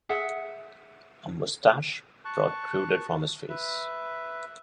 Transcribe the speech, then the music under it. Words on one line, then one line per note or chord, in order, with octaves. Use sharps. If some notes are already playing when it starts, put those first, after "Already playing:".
'A mustache protruded from his face.
G#4 E5 F#5
A5 C#6 F#6
B4 E5